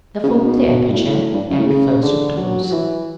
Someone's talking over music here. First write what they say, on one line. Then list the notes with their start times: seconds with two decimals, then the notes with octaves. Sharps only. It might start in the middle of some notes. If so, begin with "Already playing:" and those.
The form of the aperture: and first of doors.
0.23 C#3
0.28 B2
0.91 G2
0.97 A2
1.33 G2
1.50 F#2
1.59 A2
1.67 C#3
2.02 D3
2.37 F#3
2.64 F#3
2.72 E3